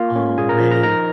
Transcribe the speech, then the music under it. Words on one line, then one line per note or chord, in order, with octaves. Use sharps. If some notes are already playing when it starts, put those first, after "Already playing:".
Oh, man.
Already playing: A#3 F4 F5
C#4
A#2 G#4 G#5
A#4 A#5
F3
A#4 A#5
D#4 A#4 A#5